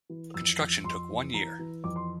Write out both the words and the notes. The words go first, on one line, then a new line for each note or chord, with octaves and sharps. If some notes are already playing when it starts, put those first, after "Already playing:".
Construction took one year.
E3
F2 E6
F2
F2 C6
E3
E3 A#5
E3
F2 D6
C6